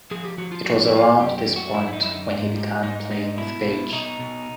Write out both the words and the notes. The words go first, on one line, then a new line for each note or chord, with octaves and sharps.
It was around this point when he began playing with Page.
F3 G#4
G4
F3 F#4
F4
F3 F#4
F4
E4
A2 F4
F#2 G4
G4
D3
F#4
F#2 E4
E4
D#4
F#2 E4
D#4
G#2
G3
G#2 D#4
G#2 D#4
B2 E4
B2
B2 D#4
B2